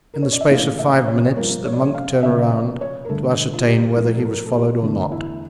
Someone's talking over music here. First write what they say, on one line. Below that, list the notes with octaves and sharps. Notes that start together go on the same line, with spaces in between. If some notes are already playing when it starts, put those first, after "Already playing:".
In the space of five minutes the monk turned around to ascertain whether he was followed or not.
A#4
C#5
D5
E5
A2 E3 A#3 F5
E5
C#5
C#5
G2 F3 A#3 A#4
C#5
D5
C#5
F5
C#3 F3 A#3 E5
D5
C#5
A#4
G2 D3 A3 A4
F4
G4
F4
A2 F3 A3 A#4
A4
A#4
A4
G4
E2 D3 A3 D4
E4